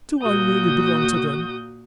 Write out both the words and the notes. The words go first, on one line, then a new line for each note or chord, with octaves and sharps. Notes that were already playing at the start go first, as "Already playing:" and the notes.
Do I really belong to them?
A#2 A#3 F#4 D#6 G6